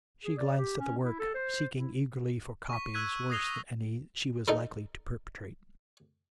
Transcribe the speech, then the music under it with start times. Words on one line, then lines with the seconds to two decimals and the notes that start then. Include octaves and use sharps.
She glanced at the work, seeking eagerly for copies, worse than any she was likely to perpetrate.
0.24 G#4
0.38 D5
0.57 G4
0.79 C#4
1.04 E4
1.19 A4
1.35 C5
1.77 E4
2.70 C#6 B6
2.94 E6 F#6 G#6 B6 D#7
3.30 D#6 G#6 A#6 C7 F7 G7
4.48 D#4 A4 A#4